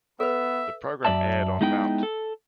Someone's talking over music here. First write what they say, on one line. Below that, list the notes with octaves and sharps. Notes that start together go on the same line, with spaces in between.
The program aired on Mt.
B3 A4 B4 E5
F#2 D5 E5 A5
G#3 B3 D#4 E4 G5
A4